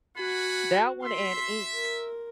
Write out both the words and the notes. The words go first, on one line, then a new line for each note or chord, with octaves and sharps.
That one and Ink,
F#4 F#5 G#5 B5
E5 C6
A#4